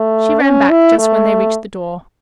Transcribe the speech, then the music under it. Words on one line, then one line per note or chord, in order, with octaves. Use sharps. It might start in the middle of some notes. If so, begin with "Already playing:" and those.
She ran back just when they reached the door.
Already playing: A3
C#4
E4
A3